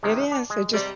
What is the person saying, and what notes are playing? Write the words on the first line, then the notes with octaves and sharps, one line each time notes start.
It is, it just
C3 D#3 G#3
D4
G#3
C3 G3